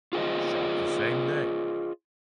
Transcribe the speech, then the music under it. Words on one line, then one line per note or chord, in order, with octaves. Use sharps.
Shot the same day.
F4 G#4 C5 D#5